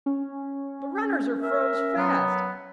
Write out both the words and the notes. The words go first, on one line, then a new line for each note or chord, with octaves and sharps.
The runners are froze fast.
C#4
A#4 E5
F#3 B3